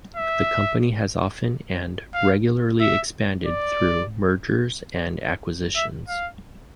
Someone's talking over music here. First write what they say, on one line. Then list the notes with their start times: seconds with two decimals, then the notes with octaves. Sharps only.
The company has often and regularly expanded through mergers and acquisitions.
0.16 E5
2.14 F5
2.80 E5
3.46 D5
5.76 E5
6.08 F5